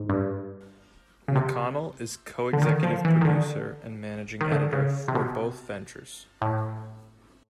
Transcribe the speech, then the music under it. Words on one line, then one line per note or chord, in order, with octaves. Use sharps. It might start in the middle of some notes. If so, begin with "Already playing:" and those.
McConnell is co-executive producer and managing editor for both ventures.
Already playing: G#2
G2
C#3
C3
D3
D#3
F3
E3
D#3
D3
D#3
D3
C#3
C3
B2
A2